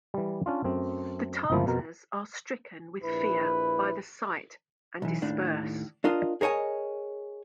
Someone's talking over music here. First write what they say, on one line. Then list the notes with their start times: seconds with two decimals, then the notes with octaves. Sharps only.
The Tatars are stricken with fear by the sight and disperse.
0.14 E3 G3
0.46 C#4 D4 F4
0.64 F#2 A3 C4
1.50 G1 C#2 F3 A#3 E4
1.66 F2 B2 A#4
3.03 A#1 E4 B4
5.02 B1 E3
5.22 D#2 A2 D4
6.04 D4 F4 A#4 D#5
6.41 G#4 A#4 C#5 D#5 G#5